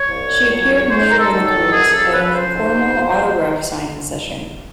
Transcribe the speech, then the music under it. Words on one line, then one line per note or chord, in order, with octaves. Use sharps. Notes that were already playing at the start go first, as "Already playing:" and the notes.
She appeared later in the cruise at an informal autograph-signing session.
Already playing: C#5
C2
A#2 F#3
G#2 C5
A#4
A4
D#3 F#3
A4
F#2 G#4
A4
C#3 F3 B4
C5
G#2
F3